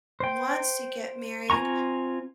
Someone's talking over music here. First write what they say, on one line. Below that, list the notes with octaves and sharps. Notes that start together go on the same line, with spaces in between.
wants to get married,
C5 G5
C4 F4 G#5 A#5 C#6